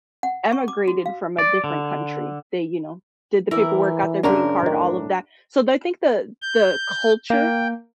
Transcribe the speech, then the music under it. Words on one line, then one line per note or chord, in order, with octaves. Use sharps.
emigrated from a different country. They, you know, did the paperwork, got their green card, all of that, so, th I think the the culture
F#5
C#6
D6
F#4
F5
D5
D3
E3 E4 A#4 D5 A#5
F#2 C#3 F#3 D4 A#4 C#5 A#5
A2 D#3
G6
A#3 G5